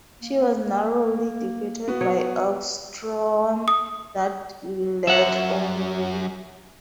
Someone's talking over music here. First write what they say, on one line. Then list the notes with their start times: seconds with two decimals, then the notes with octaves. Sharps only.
She was narrowly defeated by Elvstroem, that led all the way.
0.22 A#3
1.88 B3 F#4
2.01 F#3 C#5
3.68 D#6
5.07 F#2 E5 F#5